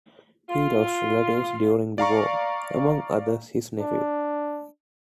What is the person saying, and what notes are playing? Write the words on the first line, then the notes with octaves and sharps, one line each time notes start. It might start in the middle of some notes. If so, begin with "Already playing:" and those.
He lost relatives during the war, among others, his nephew.
F4
D5 F5 A#5 C#6
D4